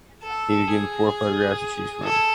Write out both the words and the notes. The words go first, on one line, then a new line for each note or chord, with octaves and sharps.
He was given four photographs to choose from.
A4
G#4
A4